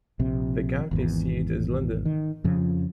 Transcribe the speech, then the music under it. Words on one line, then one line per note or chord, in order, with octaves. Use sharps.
The county seat is Linden.
A#1 C3
G#1 E2
D#3
F2 C#3 F3